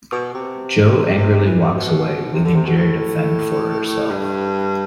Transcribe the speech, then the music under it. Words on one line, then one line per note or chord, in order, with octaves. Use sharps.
Joe angrily walks away, leaving Gerry to fend for herself.
B2
C3
E3
C3
B2
C3
D3
C3
B2
A2
G2